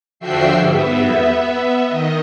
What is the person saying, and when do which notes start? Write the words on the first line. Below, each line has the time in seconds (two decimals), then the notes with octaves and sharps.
you know, "go to here,"
0.20 D3 F3 F#4 E5 G5 C7
0.67 B3 E5
1.86 D#3 D#5